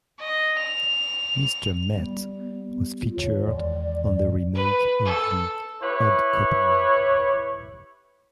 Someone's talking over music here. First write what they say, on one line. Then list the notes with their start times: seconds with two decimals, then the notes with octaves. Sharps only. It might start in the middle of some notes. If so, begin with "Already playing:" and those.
Mr. Met was featured on the remake of "The Odd Couple".
0.20 D#5
0.59 F7
1.95 G3 B3
3.02 F4
3.17 D#2 D3 C#5
3.46 E2 D#3 G#3 D5
4.55 B4
5.05 A4
5.83 E4 G4 B4 C#5